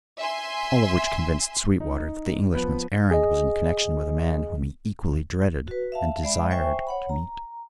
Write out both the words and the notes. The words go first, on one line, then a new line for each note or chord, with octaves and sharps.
All of which convinced Sweetwater that the Englishman's errand was in connection with a man whom he equally dreaded and desired to meet.
E5 G#5 C6
D#4
F3 B3 B4
G#4 D#5
F#4 B4
E5 F5 A5
G#3 D5 E5 B5
C5 E5 G5 G#5 C#6
C#5 F#5 B5
A#5